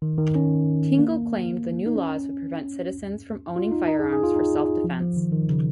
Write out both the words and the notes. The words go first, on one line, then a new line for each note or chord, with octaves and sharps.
Tingle claimed the new laws would prevent citizens from owning firearms for self-defence.
D#3
D#3
C#4
A#3
D#4
C#4
F4
D#4
D#4
G#4
G#4
F4
D#4
F3
F3
D#3
D#3
C#3